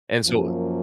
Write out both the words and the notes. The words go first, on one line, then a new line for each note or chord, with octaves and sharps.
and so
F#2 F3 A#3